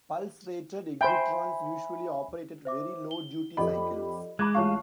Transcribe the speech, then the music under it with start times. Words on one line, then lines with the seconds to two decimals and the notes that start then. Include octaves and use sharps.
Pulse rated ignitrons usually operate at very low duty cycles.
1.01 C5 E5 G5 G#5 B5
2.65 C5 E5 D6
3.11 G7
3.57 F2 G4 A4 D5 D#5 B5
4.39 G#3 A#5 B5 D6 F#6 G#6
4.54 A1 F4 C#5 F5 A5 C#6